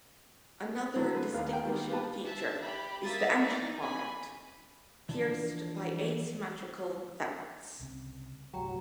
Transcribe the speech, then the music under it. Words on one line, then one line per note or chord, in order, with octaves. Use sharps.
Another distinguishing feature is the engine bonnet, pierced by asymmetrical vents.
D3 F#3 A3 C4 E4
B4 C5
A1 D#2 B3 A#4 F5
G5
D#3 G3 A#3 B3
B3 F4 G4 B4 A5
E5 A5
G4 B5
A#3 E5 D#6 A6 B6
D#4 D5 A#5
G#5 B5
E3 F3 D4 A5
C2 C#3 C4
G1 C2 A2 F#3 G4 G5 A#5